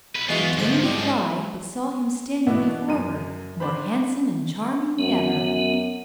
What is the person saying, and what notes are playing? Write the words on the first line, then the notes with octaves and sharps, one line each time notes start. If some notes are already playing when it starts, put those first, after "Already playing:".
She turned to fly, but saw him standing before her, more handsome and charming than ever.
B1 B4
E2 G#3 B3 F4 F#4
D2 G#2 F3 C5
G3 G#3
G#3
B2 E3 B3 D4 E4 F#4
F#2 D#7
D4 C5 B5
F#2 B3